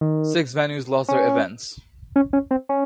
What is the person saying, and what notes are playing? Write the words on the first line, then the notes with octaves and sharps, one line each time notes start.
Six venues lost their events.
D#3
C#4
C#4
C#4
C4
C#4